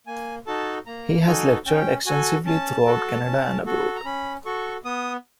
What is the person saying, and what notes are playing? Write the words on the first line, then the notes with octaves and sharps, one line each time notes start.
He has lectured extensively throughout Canada and abroad.
A#3 G#5
D#4 F#4 A4 A5
A#3 A#5
A5
D#4 F#4 A4 G#5
C#4 G5
F#4 A4 G#5
C#4 A5
F#4 A4
C#4
F#4 A4
A#5
C#4 B5
F#4 A4 C#6
B3 D#6